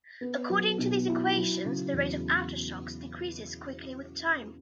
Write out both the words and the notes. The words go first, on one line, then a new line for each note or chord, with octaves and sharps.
According to these equations, the rate of aftershocks decreases quickly with time.
B3
F#3
B2
E4
F#3
C#3
E2